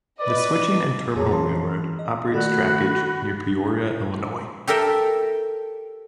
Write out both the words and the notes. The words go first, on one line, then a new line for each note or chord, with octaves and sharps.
The switching and terminal railroad operates trackage near Peoria, Illinois.
B4 D5 D#5
F2 G#4 C#5 A5 A#5
E3 A5 A#5 C6
D#5
D#3 A3 F#4 A4 A#4 D5 B5
G4 A4 A#4 E5 G5